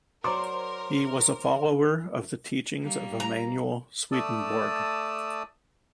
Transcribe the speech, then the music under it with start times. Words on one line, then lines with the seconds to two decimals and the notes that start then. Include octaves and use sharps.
He was a follower of the teachings of Emanuel Swedenborg.
0.24 F#3 A#4 C5 D5 F#5 D6
2.84 G3 A#3
3.20 A#5
4.12 A3 D5 A5 D#6 E6